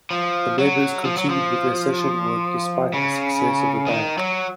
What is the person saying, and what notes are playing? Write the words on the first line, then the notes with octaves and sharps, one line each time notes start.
The members continued with their session work despite the success of the band.
F3
F#3
F3
F#3
F3
C#3
D#3
F#3